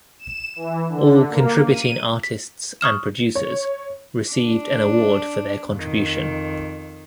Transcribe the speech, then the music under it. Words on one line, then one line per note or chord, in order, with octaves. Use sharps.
All contributing artists and producers received an award for their contribution.
E7
E3
D3
A#3
D#7
B6
C#6 D#6 F6 E7
C#5
D4
F2 D#3